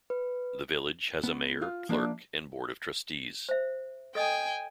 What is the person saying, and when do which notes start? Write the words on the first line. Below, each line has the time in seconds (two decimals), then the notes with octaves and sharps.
The Village has a mayor, clerk and board of trustees.
0.10 B4
1.24 B3
1.62 F4
1.89 F3 A#3 D4 D5 E5
3.49 C5 E5
4.15 A4 D#5 G5 G#5 D#6